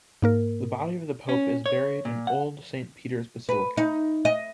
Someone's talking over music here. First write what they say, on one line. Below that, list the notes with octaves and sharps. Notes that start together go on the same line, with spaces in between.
The body of the pope is buried in Old Saint Peter's Basilica.
G#2 A#3 A#4
C#4
C#5
A#2
F#5
B4
D#4
D#5